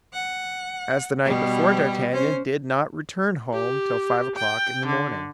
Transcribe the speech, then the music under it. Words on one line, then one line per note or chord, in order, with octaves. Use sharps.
As the night before, d'Artagnan did not return home till five o'clock in the morning.
F#5
B2 G3
C#4 C5
G4
G5
D3